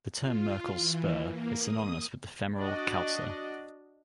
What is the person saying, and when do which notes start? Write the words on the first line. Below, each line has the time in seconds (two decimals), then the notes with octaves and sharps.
The term "Merkel's spur" is synonymous with the femoral calcar.
0.20 F4
0.74 E3
1.25 A#3
1.58 D#6
2.57 D4 F#4 D5 D#5